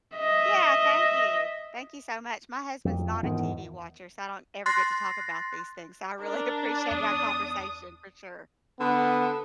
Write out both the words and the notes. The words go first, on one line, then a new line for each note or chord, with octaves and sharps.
Yeah, thank you. Thank you so much my husband's not a TV watcher, so I don't ever get to talk about these things, so I really appreciate our conversation for sure.
D#5 E5
F2
E2 G#2 D#3
C6 F#6 A6 A#6 C7
D4 A#4
E2 D#6
D3 B3